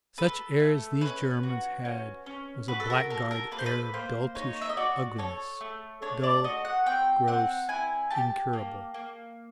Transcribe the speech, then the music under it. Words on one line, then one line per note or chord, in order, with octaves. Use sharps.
Such air as these Germans had was a blackguard air of doltish ugliness--dull, gross, incurable.
A4 B4
A3
C#4 B4
F#4
C#4
C#4
F#4 B4
A4
A#4
A4 A#4
A#4
A#3 B4
C5
B4
A#3 C5
D#4 C#5
E5
D#5
F#4 D5
A4 C#5
A3
D4 C#5
D5
F#4 D#5
F#5
C4 G5
C4 F#5
E4 G#5
G4 A5
A#3
A#3